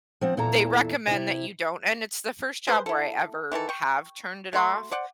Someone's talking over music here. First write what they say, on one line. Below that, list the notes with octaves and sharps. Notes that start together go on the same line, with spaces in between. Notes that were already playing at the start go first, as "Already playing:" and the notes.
they recommend that you don't, and it's the first job where I ever have turned it off,
F3 C4 F#5
E2 A#2 E3 E4 A4 A#5
C3 E4
G#4 B4 C5
E4 A4
D#3 E3 F#4 A4
G5 C#6
A3 F#4 C6
C5 D5 F#5